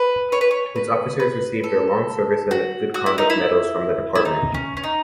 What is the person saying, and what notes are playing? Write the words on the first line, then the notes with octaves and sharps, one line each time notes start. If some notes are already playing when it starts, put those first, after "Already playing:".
Its officers receive their long service and good conduct medals from the department.
Already playing: B4
C#5
B4
C#5
B4
B4
A4
F#4
F#4
E4
D#4
E4
E4
D#4
C#4
C#4
D#4